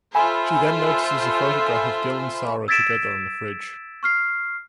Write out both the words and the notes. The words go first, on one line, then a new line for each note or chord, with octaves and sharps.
She then notices a photograph of Gil and Sara together on the fridge.
F4 A4 C5 E5 G#5 B5 E6
E6 G#6 A6 B6 D7 E7
C#6 F6 C7